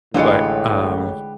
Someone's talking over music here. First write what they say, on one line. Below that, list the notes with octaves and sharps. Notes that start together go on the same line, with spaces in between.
But, um
A1 A2 D3 G#3 F4 G4 B4 C#7